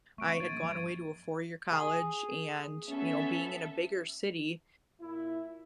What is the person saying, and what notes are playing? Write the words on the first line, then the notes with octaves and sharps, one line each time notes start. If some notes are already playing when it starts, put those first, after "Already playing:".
I had gone away to a four-year college, and, you know, being in a bigger city,
A3 C4 C#6 D7
F3 A#3 G#6 A6 D#7
G2 F3
G#4
B3 C#4 A4 E5
A#2 E4